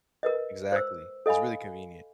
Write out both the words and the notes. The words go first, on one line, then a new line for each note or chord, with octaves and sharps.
Exactly. It's really convenient.
A#4 B4 D#5
C5 E6
A4 D#5 F5 G#5 B5